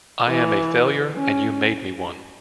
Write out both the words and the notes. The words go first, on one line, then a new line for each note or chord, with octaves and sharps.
I am a failure, and you made me one.
E3
C#4